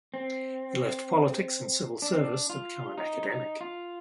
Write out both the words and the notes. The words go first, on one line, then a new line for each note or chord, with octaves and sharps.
He left politics and civil service to become an academic.
C4
D4
C4
D4
F4
D#4
D#4
F4